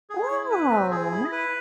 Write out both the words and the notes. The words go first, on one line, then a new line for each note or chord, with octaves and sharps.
Oh, nice.
G#4
E4
B4
C4
G#4
E4
B4